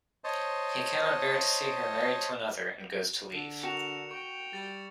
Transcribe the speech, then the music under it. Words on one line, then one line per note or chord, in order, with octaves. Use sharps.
He cannot bear to see her married to another, and goes to leave.
C5 C#5 D#5 A5
D3
F#4 A#4 C#7 E7 F7
G5 C#6
G3 A6